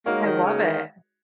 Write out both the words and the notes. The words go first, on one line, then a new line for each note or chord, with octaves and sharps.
I love it.
G#3 A#3 D#4 F#4 A#4 C#5
D#3
C#3
D#3